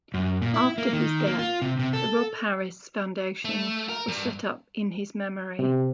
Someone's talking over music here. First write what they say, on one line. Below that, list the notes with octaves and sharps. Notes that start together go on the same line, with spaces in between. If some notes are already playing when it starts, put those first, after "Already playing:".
After his death, the Rob Harris Foundation was set up in his memory.
F#2
A#2
E4
A#3
D#3
A#3
F4
C3
C3
A4
A3
A#4
G2
C3